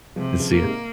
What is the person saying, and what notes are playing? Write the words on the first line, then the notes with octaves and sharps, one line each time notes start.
I'll see ya.
C3 F3 G#3
C#3 F3
A#3
G#2 C3